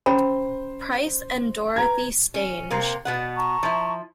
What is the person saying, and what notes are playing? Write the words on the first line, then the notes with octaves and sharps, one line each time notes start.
Price and Dorothy Stange.
C#4 C5 A#5 B5
B4 A#5 G#6
C#4
C3 A#3 C4
B2 B3 F#5
A5 A#5 C#6
F3 E4